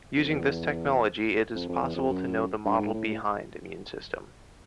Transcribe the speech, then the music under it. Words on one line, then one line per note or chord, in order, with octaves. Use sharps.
Using this technology it is possible to know the model behind immune system.
F2
E2
F2
F2
E2
F2
F#2
G2
G#2
A2
A2